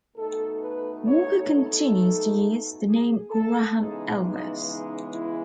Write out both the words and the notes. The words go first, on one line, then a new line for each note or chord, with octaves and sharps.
Walker continues to use the name Graham Elvis.
B2 A3 D#4 A4
B4
C#5
A4
G#4
A4
C#3 E3 G#3 B3 D#4 G#4
D#4
D#4
E4